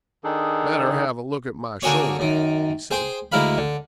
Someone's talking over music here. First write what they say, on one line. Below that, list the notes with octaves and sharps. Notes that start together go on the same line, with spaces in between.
'Better have a look at my shoulder,' he said.
D#3 D4 D#4 G#4 A4
D3 A#3 F#4 G#4 C#5 C#6
F#2 D#3
G#4 C5 G5 C6
D2 G#3 E4 A#4 F5 B5
D3